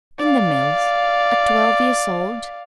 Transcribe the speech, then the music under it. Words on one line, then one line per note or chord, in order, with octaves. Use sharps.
"In the mills--at twelve years old!"
D5 F5